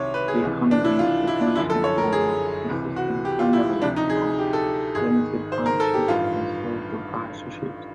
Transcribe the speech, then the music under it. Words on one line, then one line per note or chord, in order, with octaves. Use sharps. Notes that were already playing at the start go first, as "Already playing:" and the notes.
The economy is mostly formal, consisting primarily of limited partnerships and sole proprietorships.
Already playing: C2 C3 D#3 C#5
B4
G#4
C#2 C3 E3
D4
E4
F4
E4
D4
F#1 F#2 D3 F3 E4
A4
C#5
A#4
G#4
C#2 C3 E3
F#4
G4
F4
E4
D2 C3 F3 D4
D#4
G#4
G4
A4
G#1 G#2 D#3 G#4
C5
A#4
A4
G4
A1 G2 D#3 F4